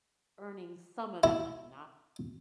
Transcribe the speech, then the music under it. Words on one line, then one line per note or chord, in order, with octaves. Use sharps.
earning some of that money, not,
E4